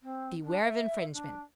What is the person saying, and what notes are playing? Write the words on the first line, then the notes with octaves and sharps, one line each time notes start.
Beware of infringements!
C4
D4
E5
D4